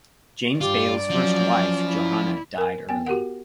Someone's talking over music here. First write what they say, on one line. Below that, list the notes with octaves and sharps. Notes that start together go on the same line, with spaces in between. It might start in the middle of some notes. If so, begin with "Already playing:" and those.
James Baillie's first wife Johanna died early.
G2 F4 G4 D5
F3 F#3 C#4
E4
A#4 G#5
B3 G5 G#5
F#4 G4 A#4 F#5